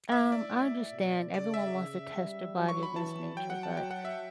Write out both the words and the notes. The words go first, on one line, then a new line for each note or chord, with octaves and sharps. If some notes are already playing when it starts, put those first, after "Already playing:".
Um, I understand everyone wants to test your body against nature, but
A2 E5
D5
A2
B2
C#3 D5
E5
C#3
G3
F#3
C#6
B5
E3 A5
F#3 G5
F#5
A5
F#3 G5
F#5
E5